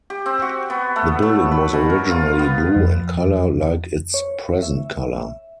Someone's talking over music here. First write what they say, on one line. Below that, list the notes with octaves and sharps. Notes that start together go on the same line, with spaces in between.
The building was originally blue in color like its present color.
G4
C4
F#4
B3
A3
F#3
B4
B2
A#4
F4
B3
F2
C#5
E5